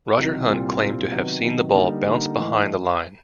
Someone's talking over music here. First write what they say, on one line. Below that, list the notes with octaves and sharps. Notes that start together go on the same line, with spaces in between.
Roger Hunt claimed to have seen the ball bounce behind the line.
C2 C3 D#3 F#3
C2 A#2 G3 C4 F4
C2 A#2 G3 C4 F4
C3 D#3 F#3 B3
C3 D#3 F#3 B3
D3 G3 A#3 D#4
D3 G3 A#3 D#4
G#2 E3 A3